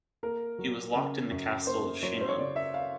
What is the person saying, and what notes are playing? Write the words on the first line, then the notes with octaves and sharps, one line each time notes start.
He was locked in the castle of Chinon.
A#3 A#4
F#3
C#3
F#2
A#3 C5
F#3 C#5
C5
C#5
C#3 D5
E5
F5